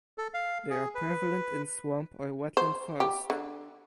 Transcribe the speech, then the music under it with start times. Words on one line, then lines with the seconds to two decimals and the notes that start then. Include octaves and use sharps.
They are prevalent in swamp or wetland forest.
0.18 A4
0.34 F5
0.70 G#4
0.95 B4
2.57 C5
3.00 G4
3.30 D3